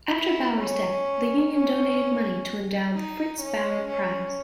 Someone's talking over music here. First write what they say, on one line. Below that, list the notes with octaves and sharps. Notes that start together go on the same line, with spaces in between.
After Bauer's death, the Union donated money to endow the Fritz Bauer Prize.
E4
C#4
C#4
D#4
C#4
C#4